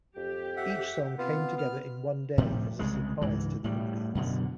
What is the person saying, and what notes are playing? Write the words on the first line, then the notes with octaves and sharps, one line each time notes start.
Each song came together in one day as a surprise to the audience.
F2 G4
E5 F#5
C3 B3 F4
F6
A2 C3 F3 G3
C2 C#3 G#3
C#2 G#2 E3
A2 G3
F#2 B2 D3